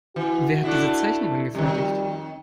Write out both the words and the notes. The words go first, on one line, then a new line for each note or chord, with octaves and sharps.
Wer hat diese Zeichnung angefertigt?
E3 F#4
A3 D4 E4
F2 D#3 G3